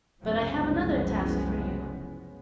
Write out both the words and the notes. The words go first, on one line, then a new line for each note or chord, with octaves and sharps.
But I have another task for you.
F#1 C2 F3 G#3 B3 C#4